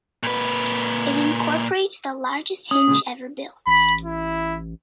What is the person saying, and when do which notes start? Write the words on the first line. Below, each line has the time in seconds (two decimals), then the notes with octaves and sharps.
It incorporates the largest hinge ever built.
0.23 A#2 B4
2.71 C#4 D#6
2.87 A#2 C#3 G#3
3.67 A1 B5
4.05 E4